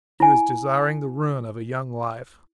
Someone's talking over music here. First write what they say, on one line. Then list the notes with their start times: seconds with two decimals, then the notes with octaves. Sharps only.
He was desiring the ruin of a young life.
0.20 E4 G#5